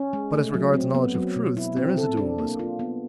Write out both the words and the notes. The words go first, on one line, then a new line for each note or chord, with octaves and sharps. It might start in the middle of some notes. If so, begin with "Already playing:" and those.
But as regards knowledge of truths, there is a dualism.
Already playing: C#4
G#3
A3
F#3
C4
B3
F#3
B2
E4
C4
A4
D4
A#3
F4
B3